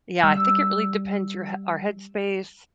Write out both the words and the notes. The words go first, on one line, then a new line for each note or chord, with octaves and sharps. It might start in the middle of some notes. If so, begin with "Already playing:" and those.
Yeah, I think it really depends your h our headspace,
G3 E6